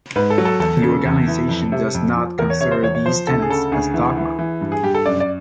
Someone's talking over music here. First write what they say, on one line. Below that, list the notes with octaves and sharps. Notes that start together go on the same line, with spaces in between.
The organisation does not consider these tenets as dogma.
G#2 B4
A4
F#3
A4
E2 A4
C#3
E2
E3
F2
C3
F2
F3
E2 A#4
C#5
C3 C#5
C5
E2 C#5
C#5
F3 C5
D2 A4
G#4
C#3 A4
D2 G#4
E3
E3
E3
G2
G#4
G2 G4
A4
F#2 D5
D5